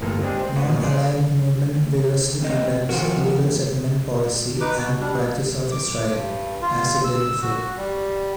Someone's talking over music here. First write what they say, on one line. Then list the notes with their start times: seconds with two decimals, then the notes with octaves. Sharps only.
Nonaligned Movement vigorously condemns illegal settlement policy and practice of Israel, as it did before.
0.01 G1 E2 A2 A#3 F4 A4
0.22 G#3 C4 D4 G4 G#4
0.39 C4 C5 D5
0.56 F4 F#4 B4 D5
0.68 A#1 B2 A#3 C#5
0.83 G#4 C5 D5 D#5 F5 F#5
2.40 E2 C3 D#5
2.89 F2 D#3 F3 F#4 A#4
4.61 D#4 B4 D6
4.75 B2
5.01 G3 D4
5.72 D6
6.10 G2
6.62 F4
7.04 E6
7.42 F#4
7.77 G3